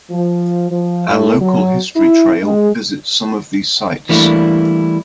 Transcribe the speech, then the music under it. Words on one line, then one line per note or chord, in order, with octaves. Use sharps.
A local history trail visits some of these sites.
F3
F3
A2
F#3
E4
G#3
E3 G3 A3 A#3 D4 E4